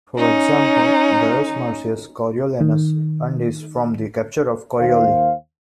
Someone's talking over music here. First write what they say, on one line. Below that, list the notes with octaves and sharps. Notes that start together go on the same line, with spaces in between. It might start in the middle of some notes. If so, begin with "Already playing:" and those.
For example, Gaius Marcius Coriolanus earned his from the capture of Corioli.
C#4 D#4
D#3
D#2 A#3 C5 F5